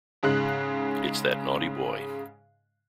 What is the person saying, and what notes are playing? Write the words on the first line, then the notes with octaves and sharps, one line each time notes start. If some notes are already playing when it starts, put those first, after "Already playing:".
It's that naughty boy.
G#2 C#3 G#3 F#6